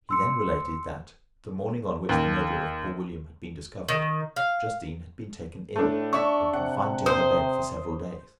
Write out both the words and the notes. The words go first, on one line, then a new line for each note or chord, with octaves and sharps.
He then related that, the morning on which the murder of poor William had been discovered, Justine had been taken ill, and confined to her bed for several days.
C6 E6 C#7
D#2
D#3
F5
A2 A3 D4
D4 E5 C#6
C3 F#5
C5 D#6